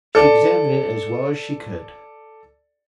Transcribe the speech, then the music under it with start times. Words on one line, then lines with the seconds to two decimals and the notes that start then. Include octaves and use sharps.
She examined it as well as she could.
0.15 A4 D5